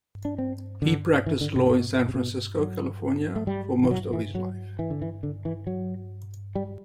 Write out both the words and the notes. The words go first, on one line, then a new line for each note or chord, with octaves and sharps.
He practiced law in San Francisco, California for most of his life.
D4
C4
D3
E3
D3
C3
C3
B2
C3
B2
F#3
A3
G3
E3
F#3
E3
F#3
E3
D3
E3
D3
E3
F#3
G3